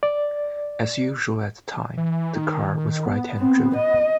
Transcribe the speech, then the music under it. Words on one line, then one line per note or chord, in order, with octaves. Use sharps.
As usual at the time, the car was right-hand driven.
D5
E3
D#3
B3
C4
D#5